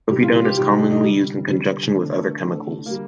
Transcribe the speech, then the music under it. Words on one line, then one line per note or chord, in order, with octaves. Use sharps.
Povidone is commonly used in conjunction with other chemicals.
C3 D#3 G3 G4
F4
F4
G4
C3 D#3 G3 G4
D#4
D4
D#4
D3 G3
D3 G3
D3 A3 D4
A3
A3
D3 A3
D3 G3 A#3